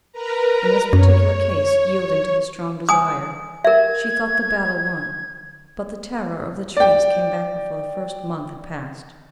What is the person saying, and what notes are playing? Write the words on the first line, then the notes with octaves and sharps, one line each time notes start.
In this particular case, yielding to his strong desire, she thought the battle won, but the terror of the trees came back before the first month had passed.
A#4 B4 A#5
F#2 C#5
G#5 D#6
A#4 E5 G#6
D5 G5